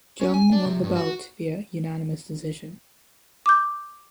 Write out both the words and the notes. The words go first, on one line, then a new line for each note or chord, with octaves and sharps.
Jung won the bout via unanimous decision.
C#4
G#5
D4
C3
G2
F#4
D6 G6